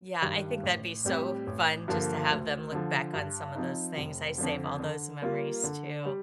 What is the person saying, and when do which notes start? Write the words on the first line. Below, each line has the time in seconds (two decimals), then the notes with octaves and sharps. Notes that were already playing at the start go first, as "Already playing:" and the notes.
Yeah, I think that'd be so fun, just to have them look back on some of those things, I save all those memories too.
0.22 G2 D#3 G3
0.63 A1
1.05 A2 G3 C4 G4
1.47 A1
1.88 G2 D3 F3 A#3
2.30 D2
2.72 D3 F3
3.14 G2
3.55 F3 C4 D#4
3.97 F1
4.38 F2 D3 F3
4.80 D3
5.22 G3 A#3 F4
5.64 D3
6.06 G3